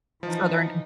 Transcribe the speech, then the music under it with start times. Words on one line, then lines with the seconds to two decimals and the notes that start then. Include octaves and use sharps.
Southern C
0.23 E3 F3 D#4